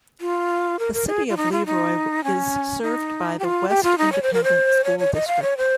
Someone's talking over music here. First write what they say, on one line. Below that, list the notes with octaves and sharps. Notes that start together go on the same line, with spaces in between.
The City of Leroy is served by the West Independent School District.
F4
A#4
A#4
G#4
F4
D#4
F4
D#4
C#4
D#4
G4
F4
G4
F4
D#4
C#5
C5
A#4
C5
C#5
C#5
D#5
F5
C#5
C5